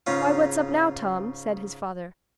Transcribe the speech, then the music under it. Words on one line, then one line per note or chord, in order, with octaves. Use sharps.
"Why, what's up now, Tom?" said his father.
G#2 C#3 C#4 F4